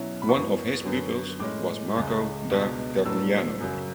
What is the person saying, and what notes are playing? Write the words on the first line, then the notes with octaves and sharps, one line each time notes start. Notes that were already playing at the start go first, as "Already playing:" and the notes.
One of his pupils was Marco da Gagliano.
Already playing: B2 F#3 C#4 E4
B5
F#2 E3 B3 C#6
F#2 D3 F#3 B3
A2 G#3 C#4 D6
C#2 C#3 G#3
C#2 B2 G#3 B3 D4
A2 F#3 B3 D4 E6
F#2 C#3 F#3